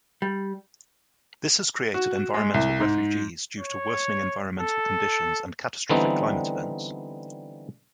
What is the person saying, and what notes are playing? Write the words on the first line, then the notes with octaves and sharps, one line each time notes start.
This has created environmental refugees due to worsening environmental conditions and catastrophic climate events.
G3
F#4
G#3
C2
G#2
C#5
A4
D3 E3 G3 B3 C4 D#4